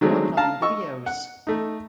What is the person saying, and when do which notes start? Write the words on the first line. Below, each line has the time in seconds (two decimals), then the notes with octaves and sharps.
Online videos!
0.01 D#3 F#3 G#3 A3 C4 D4
0.37 F5 A5 A#5
0.62 D#5 C#6 E6
1.06 F#5
1.47 A3 D#4